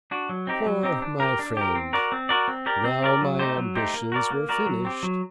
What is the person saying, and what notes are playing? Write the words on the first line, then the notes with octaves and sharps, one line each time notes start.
For, my friend, now my ambitions were finished.
D4 F#4
F#3
C4 D#4 G4
F#3
C4 D#4 G4
D4
G4 A#4
D4
G4 A#4
C4
F#4 A#4 D5
C4
F#4 A#4 D5
C4
G4 A#4 D5
C4
G4 A#4 D5
F#3
A3 D#4 G4 C5
F#3
A3 D#4 G4 C5
A#3
F#4 A#4 D5
A#3
F#4 A#4 D5
F#3
C4 G4
F#3